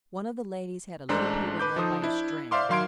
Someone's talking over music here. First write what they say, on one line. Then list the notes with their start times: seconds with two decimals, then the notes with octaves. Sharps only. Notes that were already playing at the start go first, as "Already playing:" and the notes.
One of the ladies had a little poodle led by a string.
1.09 A1 G#3 D4 A4 C5 A#5
1.59 B4 D6 G6
1.76 F3 D#4 A4 C5 D#6
2.02 D4 E4
2.51 C5 D5 E5 F5 C6 D6
2.69 D#3 F#3 F5 C6 G#6 D7